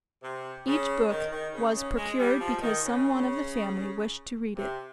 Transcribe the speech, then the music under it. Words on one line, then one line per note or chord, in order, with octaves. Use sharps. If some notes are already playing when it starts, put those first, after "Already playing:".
Each book was procured because some one of the family wished to read it.
C3
C#3
D#3
D#3
C#3
C#3
G#3
G3
F3
D#3
C#3
C3